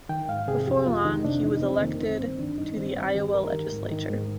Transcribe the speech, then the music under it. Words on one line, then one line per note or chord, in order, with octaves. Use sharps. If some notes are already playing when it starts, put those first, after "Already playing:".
Before long, he was elected to the Iowa Legislature.
D#3 G5
G#2 F5
C3 G#4
F2 G4
F2 F4
D#3 D#4
C3 D4
F2 D#4
F2 C4
D#3 A#3
D#3 C4
G2 C4
D#3 D4
G2 D#4
D#3 C4
G2 C4
D#3 G4
G2 A#4
D#3
G#2
D#3
G#2